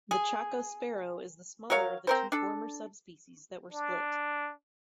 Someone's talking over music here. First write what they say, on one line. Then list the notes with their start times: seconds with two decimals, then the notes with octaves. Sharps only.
The Chaco sparrow is the smaller of the two former subspecies that were split.
0.11 G#4
1.70 F#3 A#4 C#5 F5
2.07 C4 A#4 C5
2.32 D4 A4
3.72 D4